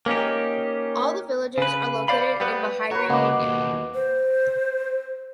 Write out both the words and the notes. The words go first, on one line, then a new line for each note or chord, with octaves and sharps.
All the villages are located in Mehari Union.
A#3 C#4 D#4 G4
C#3 B4
C5 D5 F5 B5
G3 B3 B4
F#4 B4 C#5 A#5 C#6
C#3 A#3 D#5 F#5 D6
D#2 B2
C5